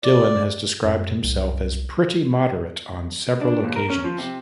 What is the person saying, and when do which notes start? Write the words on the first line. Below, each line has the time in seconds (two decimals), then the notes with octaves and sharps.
Dillon has described himself as "pretty moderate" on several occasions.
0.04 D5
0.85 F#2
1.24 C2
3.41 D4
3.64 D#2
3.76 A#4
3.90 C#4
4.04 F3
4.18 C3